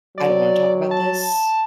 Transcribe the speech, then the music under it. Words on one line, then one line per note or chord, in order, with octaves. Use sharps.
“I don't wanna talk about this,”
F#3 D5
A5